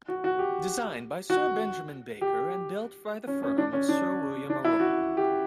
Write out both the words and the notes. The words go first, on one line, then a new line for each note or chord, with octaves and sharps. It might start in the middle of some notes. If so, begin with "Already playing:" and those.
Designed by Sir Benjamin Baker and built by the firm of Sir William Arrol.
F#4
F#4
G4
F#4
G4
C#4
C#4
D4
C#4
D4
D4
E4
F#4
G4